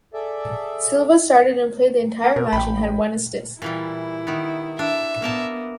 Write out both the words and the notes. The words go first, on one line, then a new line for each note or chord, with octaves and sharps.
Silva started and played the entire match and had one assist.
G#4 A4 D5 E5
A#3
B2 A#4
A1 G5 B5
A#2 E3 G3 E4
D#3 B3
D4 E5
A#3 B3 A#4 A5